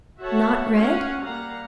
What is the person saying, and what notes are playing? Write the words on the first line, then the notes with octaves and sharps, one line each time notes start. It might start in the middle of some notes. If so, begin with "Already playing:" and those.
Not red?
F#4 A4 C#5 E5 F#5 A5
C#4 F5 F#5 G#5
G3 A#3 F5 F#5 A#5